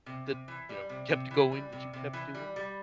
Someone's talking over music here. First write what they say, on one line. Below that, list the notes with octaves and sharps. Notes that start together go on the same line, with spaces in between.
that, you know, kept going that you kept doing?
C3
C3
E3
G3
C3
C3
E3
G3
C3
C3
E3
G3
G3